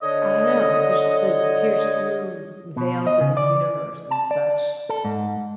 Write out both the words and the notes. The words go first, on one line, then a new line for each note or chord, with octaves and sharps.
I don't know, like, just, like, pierce through veils of the universe and such.
D3 C#5 D#5
B2
D#5
C#3
D5
A5
D5
A4
G#2